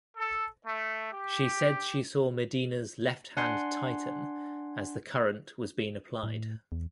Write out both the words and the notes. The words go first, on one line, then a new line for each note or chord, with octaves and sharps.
She said she saw Medina's left hand tighten as the current was being applied.
A4
A3
G4
D4 F#5 G#5 C6
A2
E2